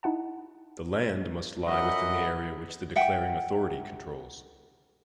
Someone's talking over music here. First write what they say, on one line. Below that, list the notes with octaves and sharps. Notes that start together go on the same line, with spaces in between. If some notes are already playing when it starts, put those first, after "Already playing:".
The land must lie within the area which the declaring authority controls.
D#4 E4 F#5 A5
F#2 D#5 E5 F#5 B5
E5 F#5 G5